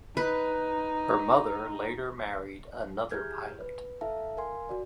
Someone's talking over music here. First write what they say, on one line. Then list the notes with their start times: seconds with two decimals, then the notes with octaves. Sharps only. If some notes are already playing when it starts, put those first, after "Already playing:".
Her mother later married another pilot.
0.17 D#4 B4
3.11 E4 G4 G#4 F6 G6 G#6
3.61 B4
4.01 E4 A4 E5 F5 A5
4.37 A#4 F5 G#5 C6
4.69 F#4 D5